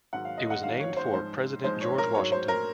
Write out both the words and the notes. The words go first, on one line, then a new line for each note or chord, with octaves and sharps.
It was named for President George Washington.
G#2 D#3 F#3 F#5
F5
D#5
F#5
G#2 D#3 F#3 F5
C#5
C5
G#2 F3 G#3 C5
G#2 F3 G#3 C5
C#5
A#4
G#2 F#3 C#5
C5
A#4